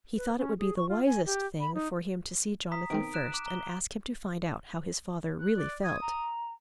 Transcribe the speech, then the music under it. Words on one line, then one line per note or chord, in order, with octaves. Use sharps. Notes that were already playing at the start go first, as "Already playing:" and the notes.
He thought it would be the wisest thing for him to see Jonathan first and ask him to find out how his father really felt.
B4
C#4
G#4
C#6
F4
G#5
G4
B5
D#4
A#5 D#6 B6
B2 D#3 C4 D7
F#6 D7 E7
D6
A#5 G7
F#6
D5
D#6 G#6
A#5